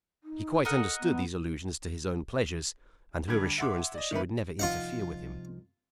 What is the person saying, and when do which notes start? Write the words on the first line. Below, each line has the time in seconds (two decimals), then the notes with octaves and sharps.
He quite understood those allusions to his own pleasures and her assurance that she would never interfere with him.
0.24 D#4
0.65 D#4 A4 A#4 F#5
1.00 B3
3.28 D3 G3 G#6
3.58 E5 F#5 C6 D6
3.95 D5 D#5
4.11 D#3 A3 A#3 B4
4.59 C2 F3 D#4 F4 F5 F#5